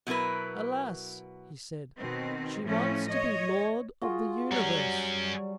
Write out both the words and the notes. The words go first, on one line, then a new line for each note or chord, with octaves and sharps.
"Alas," he said, "she wants to be Lord of the Universe."
B2 F#3 E4 A#4 B4
B2 D#3 C4
A2 F3 A3 C#4
C#5 D#5
F4 F#4 G#4
F#2 F#3 G3 C#4